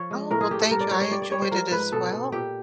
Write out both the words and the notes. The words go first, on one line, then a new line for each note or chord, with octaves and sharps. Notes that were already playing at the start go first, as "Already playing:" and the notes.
Oh, well, thank you. I enjoyed it as well,
Already playing: F3 C#5
G#3
A2 A#4
G#4
A2 G4
A4
G2 A#4
D5
G2 C#5
C#5
G3 D5
D5
G3 C#5
C5
F3 A#4
G#2 B4
B2 A4
B2
A#2 G4